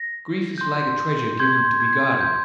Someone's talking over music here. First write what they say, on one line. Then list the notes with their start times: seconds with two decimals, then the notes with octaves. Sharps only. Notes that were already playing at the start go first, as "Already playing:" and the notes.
Grief is like a treasure given to be guarded.
Already playing: A#6
0.58 C6 G6
1.39 C6 G6 G#6
1.80 G#6
2.21 C6 G6